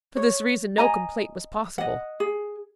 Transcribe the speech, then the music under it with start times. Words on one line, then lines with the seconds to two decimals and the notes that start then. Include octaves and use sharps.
For this reason no complaint was possible.
0.17 C#5
0.78 D#5 G#5 A#5
1.78 D#5 F#5
2.20 G#4